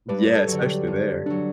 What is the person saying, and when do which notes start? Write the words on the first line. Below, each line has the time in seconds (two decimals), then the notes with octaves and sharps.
Yeah, especially there.
0.09 G2 B4
0.35 A4
0.47 D3 F#3
0.61 G4
0.87 G2
1.26 D3 F#3 D4